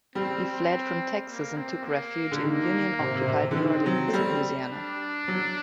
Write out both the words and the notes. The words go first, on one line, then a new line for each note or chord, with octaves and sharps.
He fled from Texas and took refuge in Union-occupied New Orleans, Louisiana.
G3 C4
C4
A#3
C4
A#3
D3
D#3 A#3
C3
C3
C3
D3
D#3 C4
F#3
A3
G3
D4
F#3